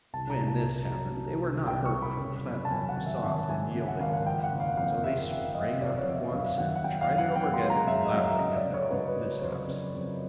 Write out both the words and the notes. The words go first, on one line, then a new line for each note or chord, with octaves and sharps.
When this happened they were not hurt, for the platform was soft and yielding; so they sprang up at once and tried it over again, laughing at their own mishaps.
C2 A5
A#5
C2
A5
C2
F#3
F#3
C2
C2 G5
C#6
C2
B5
C#3
F#2
A5
F#2 G#5
F#5
G#1
E5
G#1 E5
F#3 G#5
C#3
F#5
G#1 F5
F#5
F2 G5
F#5
F#1
F5
F2 F5
F2 E5
F#1
F2 D#5
F2 D5
C#5
F2
E5
F#2 F5
E5
F5
D#3 F#5
F#5
F#2 G5
F5
F#2
F#5
F#2 G5
C6
G#3
A#5
F#2 E5
D#5
F#2
E5
C#3 D#5
D5
C#3
C#5
C#3 B4
B4
C#3
B4
F2 C5
C#3
F2